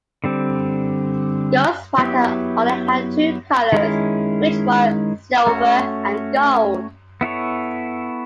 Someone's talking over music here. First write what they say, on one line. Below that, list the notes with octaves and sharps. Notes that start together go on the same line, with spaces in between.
Ghostwriter only had two colors, which were silver and gold.
D3 G3 C4
F#3 B3 E4 G4
D#3 G#3 C#4 E4
A3 C#4 F#4
B3 E4 A4 C#5